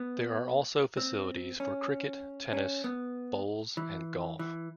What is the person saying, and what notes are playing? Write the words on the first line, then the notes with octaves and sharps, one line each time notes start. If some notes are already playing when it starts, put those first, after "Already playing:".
There are also facilities for cricket, tennis, bowls, and golf.
Already playing: B3
C4
C#4
C#4
B3
E3
E3